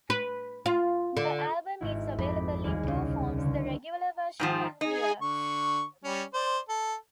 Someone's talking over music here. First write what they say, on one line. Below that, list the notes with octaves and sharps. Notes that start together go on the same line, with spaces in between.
The album is available in two forms: the regular version and the deluxe.
B4
F4
D3
G#1 E4
F2 B5 D6
D#2 G3 G#4
C2 C#3
C#2 D3
G#2 D#3 F3
D#4 G#4 G#5
D3 C#6
G3 C#4
C5 D5
A4